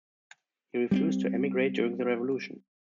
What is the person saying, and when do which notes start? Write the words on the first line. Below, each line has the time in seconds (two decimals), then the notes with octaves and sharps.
He refused to emigrate during the Revolution.
0.91 G3 B3 C4